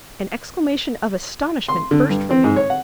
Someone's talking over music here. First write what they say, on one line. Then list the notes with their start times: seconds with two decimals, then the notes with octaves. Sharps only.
An exclamation of astonishment burst from me.
1.69 C6
1.91 D3
2.09 G2
2.31 C4
2.44 G#2
2.56 C#5
2.70 F#5